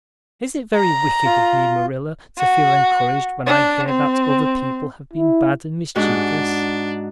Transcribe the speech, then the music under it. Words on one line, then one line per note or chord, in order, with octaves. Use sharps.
Is it very wicked of me, Marilla, to feel encouraged when I hear that other people have been bad and mischievous?
A#5
F4
F#4
D4
C4
E4
G#2 D4 F#4